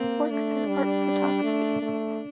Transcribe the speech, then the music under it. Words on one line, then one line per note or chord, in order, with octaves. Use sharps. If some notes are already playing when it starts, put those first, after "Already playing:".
Works in art photography.
Already playing: A#3 C4
A3 D4
G3
A3
A3